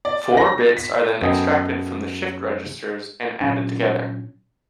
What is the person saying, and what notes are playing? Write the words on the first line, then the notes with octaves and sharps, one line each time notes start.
Four bits are then extracted from the shift registers and added together.
D5
A#6
B6
F#2 B3 A4 D#5 G5 G#5
A#2 F#3 C#4 D4